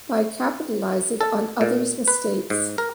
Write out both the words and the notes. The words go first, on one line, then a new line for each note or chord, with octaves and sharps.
By capitalising on other's mistakes.
A4
A#2
B4
G#2
A#4